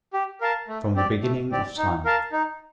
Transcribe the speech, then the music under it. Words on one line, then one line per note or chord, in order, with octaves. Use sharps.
From the beginning of time.
G4
A#4 F5 A5
A3
C4 G4 D5
A3
C4 G4 D5
D#4
A#4 F5 A5
D#4